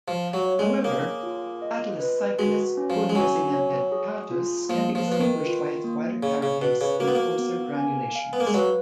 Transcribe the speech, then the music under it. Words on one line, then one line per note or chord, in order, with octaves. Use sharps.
However, "Atelecyclus undecimdentatus" can be distinguished by its wider carapace and coarser granulations.
F3 F5
F#3
C#5
G#3
A#3 G#4
F4
D#5
B4
G#3 F#4
C#4
F3
G#3
F#3 G#5
C#5
G#4
F4
F3 A#3
F3
F3 B4
D#3
F4
A#3
C#3 F5
C#3
B2 B4
C#3
A#3 F#4
B3
A#3
B3
G#5
F5
B3
A#3
G#3
F#3 B4